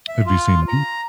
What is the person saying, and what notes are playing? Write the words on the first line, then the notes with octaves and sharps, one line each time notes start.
Have you seen them?
E5
F4
A#5